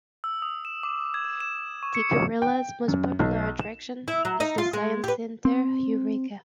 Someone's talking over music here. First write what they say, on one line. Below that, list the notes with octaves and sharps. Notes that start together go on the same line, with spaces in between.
Tikkurila's most popular attraction is the science center Heureka.
E6
D#6
E7
D6
G#6
E7
C#6
C#7
G5
F#2
B1
E7
E4
F#3
D#4 D#5
F4
G#3
G4 B4
C4